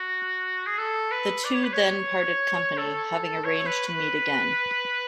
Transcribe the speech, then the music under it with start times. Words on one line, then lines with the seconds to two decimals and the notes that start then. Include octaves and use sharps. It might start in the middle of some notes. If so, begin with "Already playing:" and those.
The two then parted company, having arranged to meet again.
Already playing: F#4
0.67 G#4
0.78 A4
1.11 B4
1.44 D5
1.55 C#5
1.64 B4
1.73 C#5
2.77 A4
3.45 C#5
3.66 B4
3.88 B4